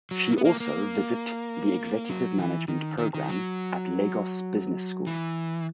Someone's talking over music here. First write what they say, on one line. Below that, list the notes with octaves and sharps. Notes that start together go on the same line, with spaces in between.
She also visit the Executive Management Programme at Lagos Business School.
F#3
A#3
B3
A#3
A#3
F#3
E3
D#3
D#3
D#3
F#3
E3